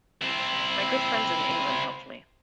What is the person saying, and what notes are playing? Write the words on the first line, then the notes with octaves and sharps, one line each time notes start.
My good friends in England helped me.
C4 E4